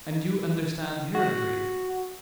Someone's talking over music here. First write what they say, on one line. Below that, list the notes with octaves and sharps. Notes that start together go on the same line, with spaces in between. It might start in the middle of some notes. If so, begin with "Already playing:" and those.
"And you understand heraldry?"
F#4